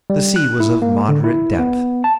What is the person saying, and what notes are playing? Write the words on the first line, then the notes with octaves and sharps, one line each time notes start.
The sea was of moderate depth.
G3
F#6
E4
A#3
D3
E4
B3
A5